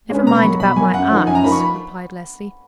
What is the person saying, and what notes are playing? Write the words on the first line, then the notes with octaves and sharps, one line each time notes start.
"Never mind about my eyes," replied Leslie.
G#3 C#4 G#4 B4
B2 A#5
B5
F#3 A#3 C#6
B2 B5
F#3 A#3 G#5
F#2 F#5
F3 A#3 D#4
F#2 G#5
A#5
F3 A#3 D#4 B5
C#6
B5